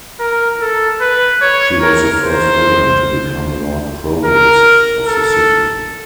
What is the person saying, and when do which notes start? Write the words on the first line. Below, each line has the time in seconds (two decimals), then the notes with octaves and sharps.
She was the first woman to become Lord Provost of the city.
0.20 A#4
0.61 A4
1.01 B4
1.42 C#5
1.81 A#4
2.22 C5
4.25 A#4
5.06 A4